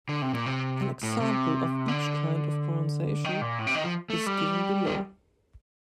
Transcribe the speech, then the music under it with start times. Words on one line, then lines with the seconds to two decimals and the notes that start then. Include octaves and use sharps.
An example of each kind of pronunciation is given below.
0.09 D3
0.22 C3
0.34 A#2
0.46 C3
1.03 A2
1.20 C3
1.88 D3
3.24 D#3
3.41 A#2
3.59 A2
3.67 C3
3.75 D#3
3.84 F3
4.10 A3
4.26 G3
4.86 D#3